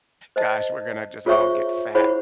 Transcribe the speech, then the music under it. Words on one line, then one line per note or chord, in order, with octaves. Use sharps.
Gosh, we're gonna just all get fat.
C5 D#5 A5
F4 G#4 C5 C#5 E5 C#6
E4 G#4 C5 C#5 F#5 B5